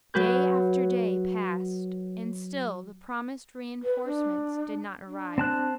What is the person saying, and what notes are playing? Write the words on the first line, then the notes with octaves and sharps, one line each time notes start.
Day after day passed and still the promised re-enforcements did not arrive.
F#3 B4 G6
B4
D4
D4
C4 A5 F#6